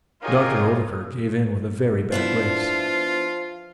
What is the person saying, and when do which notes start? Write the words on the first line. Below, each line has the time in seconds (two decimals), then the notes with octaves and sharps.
Dr. Oldacre gave in with a very bad grace.
0.23 D#4 F4 G4 G#4 A#4 C#5
2.12 F3 B3 D4 E4 F4